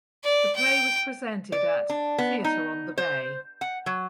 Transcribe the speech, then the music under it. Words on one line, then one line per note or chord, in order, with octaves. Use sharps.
The play was presented at Theatre on the Bay.
D5
G5
D5
D4
B3
D#4
C5
F#5
F#3